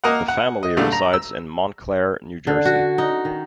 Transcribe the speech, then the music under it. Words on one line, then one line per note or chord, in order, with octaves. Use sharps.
The family resides in Montclair, New Jersey.
A#3 A#4 D#5 F#5
F#5
D#5
A#1 D3 G3 A3
A#5
E6
D3
F#4
D#4
D#3